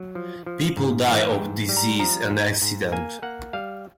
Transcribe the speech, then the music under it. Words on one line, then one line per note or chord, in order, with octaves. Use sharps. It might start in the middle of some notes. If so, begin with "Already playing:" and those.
People die of disease and accident.
Already playing: F#3
F3
F3
G#2
E3 F5
G5
G#2
G3
A#5
F3 A#5
G#2
G#2
A#3 G#5
A#3 F#5
G3 F5